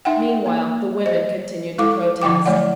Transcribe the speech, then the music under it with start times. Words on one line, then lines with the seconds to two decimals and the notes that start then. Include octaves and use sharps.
Meanwhile the women continued to protest.
0.05 D#4 E5 F#5 G5
0.46 A#3
1.06 C5 D#5
1.78 G#3 E4 A4 F5 D6
2.22 D3 F3 E4 G5 D6
2.46 F#3 A3 C#5 D5 F#5